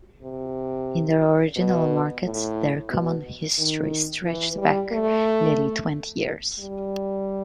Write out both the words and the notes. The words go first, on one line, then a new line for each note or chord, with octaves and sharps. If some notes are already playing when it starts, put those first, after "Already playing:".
In their original markets, their common history stretched back nearly twenty years.
C3
B2
A2
B2
D#3
E3
G3
A3
G3